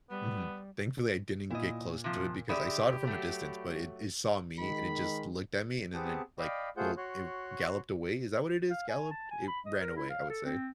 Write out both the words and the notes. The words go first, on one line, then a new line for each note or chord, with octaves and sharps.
Mhm. Thankfully, I didn't get close to it because I saw it from a distance, but it it saw me and it just looked at me and then it, like, bo it galloped away. Is that what it is? Galloped? It ran away, I would say.
G3 B3
A#2 E4 D#5
C3 F3
D3 G4 G#4 D5 E5 B5
F#3 A3
D#3 G#3 B5
B3 C4 G4 G#4 F#5 A5
D5 D#5 F5 G5 B5
A3 F4 G#4 C5 F#5 G6
F#4 C#5 C6 F#6
F5
G#5
A5
G#5
B5
D#5
A#4
E4
F5
A4
C4